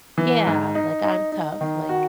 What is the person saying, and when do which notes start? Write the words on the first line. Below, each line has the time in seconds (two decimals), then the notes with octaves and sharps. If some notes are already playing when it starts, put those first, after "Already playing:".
yeah, like, "I'm tough," Like,
0.18 E3
0.46 G#2
0.75 D#4
1.04 D#4
1.32 D#4
1.61 D#3
1.89 F#4